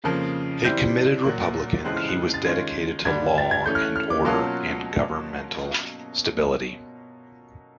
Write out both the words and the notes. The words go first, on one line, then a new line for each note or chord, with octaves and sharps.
A committed republican, he was dedicated to law and order and governmental stability.
F2 C#3 F3 A#3
E3 G3 C4 E4 G6
A#2 F#3 A#3 F#6
F2 C#3 E3 G#3 C4 F#6
F6
F#6
A6
D#3 G#3 C#4 F4 G#6
G2 D3 G3 G#6
A6
G#6
E3 A3 C#4 G6
F6
F#6
F6
D6
B2 F#3 A#3 C#4 F4 A5